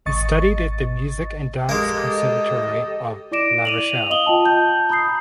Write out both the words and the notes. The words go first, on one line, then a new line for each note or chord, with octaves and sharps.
He studied at the Music and Dance Conservatory of La Rochelle.
G#1 D#5 C#6 A6
G#3 A#3 G4 A4 D#5
E4 D5 D6 A#6 D7 E7
D#7 F7 F#7
D#5 F5 D#6 F#7 G7
F4 G5 A5
A5 G6
A#5 B5 D#6 G6 C7